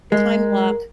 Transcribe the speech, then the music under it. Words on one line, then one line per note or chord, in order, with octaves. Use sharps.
time block,
G#3 A#4